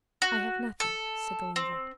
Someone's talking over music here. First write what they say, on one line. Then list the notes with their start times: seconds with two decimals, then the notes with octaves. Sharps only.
"I have nothing," said the landlord.
0.22 F#4
0.80 A4
1.56 C4